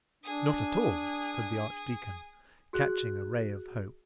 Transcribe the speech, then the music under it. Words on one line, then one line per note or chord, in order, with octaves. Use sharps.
"Not at all," said the archdeacon, catching a ray of hope.
D4 G#4 D#6
F#4 G#4 F#6